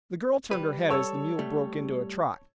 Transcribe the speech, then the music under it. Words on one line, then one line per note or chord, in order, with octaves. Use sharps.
The girl turned her head as the mule broke into a trot.
G3 B4
A4 C#5 E6
G3 A3